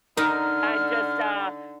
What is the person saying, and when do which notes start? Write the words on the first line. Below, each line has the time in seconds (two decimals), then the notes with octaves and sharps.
I just, uh,
0.17 D3 D#4 A#4 F6